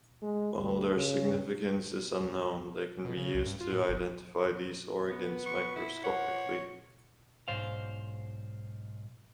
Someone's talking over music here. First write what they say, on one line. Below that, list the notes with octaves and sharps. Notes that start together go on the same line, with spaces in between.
While their significance is unknown, they can be used to identify these organs microscopically.
G#3
D2
C#3
B2
C#3
C2
G2
F4
A2
G1
B3
C#6
E4
F3 C#5 F#5
B1 G#2 C5 F5